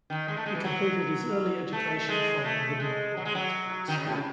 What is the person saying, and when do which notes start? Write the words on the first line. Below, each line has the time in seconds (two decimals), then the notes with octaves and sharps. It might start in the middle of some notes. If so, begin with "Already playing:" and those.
He completed his early education from Midnapur Town School.
0.10 D#3
0.28 G#3
0.37 A3
0.46 G#3
0.55 E3
0.64 F#3
1.73 A3
2.09 G#3
2.44 A3
2.80 G#3
3.17 F#3
3.25 G#3
3.35 F#3
3.88 D#3
3.97 C#3
4.06 A2
4.15 C#3